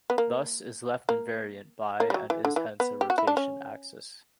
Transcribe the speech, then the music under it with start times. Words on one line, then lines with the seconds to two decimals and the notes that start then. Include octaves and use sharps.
Thus, is left invariant by and is hence a rotation axis.
0.10 B3
0.18 A#3
1.09 A#3
2.00 A#3
2.10 G3
2.14 F#3
2.30 E3
2.45 D3
2.56 E3
2.80 B3
3.01 G4
3.10 F#4
3.18 E4
3.27 D4
3.37 C#4